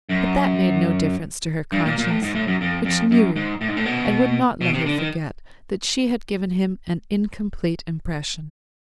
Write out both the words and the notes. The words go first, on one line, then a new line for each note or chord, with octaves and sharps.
But that made no difference to her conscience, which knew and would not let her forget that she had given him an incomplete impression.
F#2
G2
A#2
A#2
A2
G#2
A2
F#2
F2
F2
F#2
G#2
A2
G#2
A2
B2
B2
C3
D3
D#3